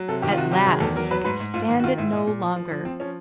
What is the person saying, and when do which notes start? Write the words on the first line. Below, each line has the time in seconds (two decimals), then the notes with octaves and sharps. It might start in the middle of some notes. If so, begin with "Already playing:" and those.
At last he could stand it no longer.
Already playing: F#3
0.08 C3 A4
0.22 D#3 G4
0.31 F4
0.37 C3 F#4
0.51 F#3 G4
0.66 D#3 G#4
0.81 E2 A4
0.96 F#3 A#4
1.11 F#3 B4
1.24 G#2 B4
1.40 G#2
1.54 G#2 F4
1.68 D#3
1.80 F#4
1.84 D#3 F4
1.97 G#2 E4
2.13 A#2
2.27 A#2
2.42 F3
2.56 F3
2.72 F3
2.85 F3 C4
3.00 F3 C#4